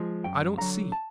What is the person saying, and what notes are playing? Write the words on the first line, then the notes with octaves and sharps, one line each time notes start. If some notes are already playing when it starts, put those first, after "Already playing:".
I don't see.
Already playing: F3 G#3
F#2 G5
D3 F#3 A#5
A5